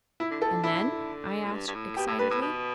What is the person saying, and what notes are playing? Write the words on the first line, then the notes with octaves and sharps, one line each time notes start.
"And then?" I asked, excitedly.
E4
D3
B2 A4
D3
D3 E4
A2
G2
G2
A2
B2 G4
A2
G2 B4
A2
B2